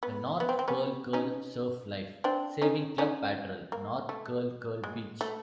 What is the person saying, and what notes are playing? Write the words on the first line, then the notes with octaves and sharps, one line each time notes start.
The North Curl Curl Surf Life Saving Club patrol North Curl Curl Beach.
B3
B3
C4
C4
B3 C#4
C#4 D#4
C4 D4
C#4 D#4
C#4 D#4
A#3
A3
G#3
A3